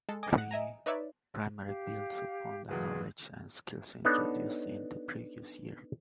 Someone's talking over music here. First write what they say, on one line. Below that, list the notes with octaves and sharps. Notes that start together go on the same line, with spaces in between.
Pre-Primary builds upon the knowledge and skills introduced in the previous year.
G#3 A4
D#5 G#5 D6 D#6
F#5
D#5 E5 G#5 A#5
D#4 B4 C#5 D5 E5
G4 F5
F#1 B1 E2 G#4 B4
B3 D4 D#4 A4 C#5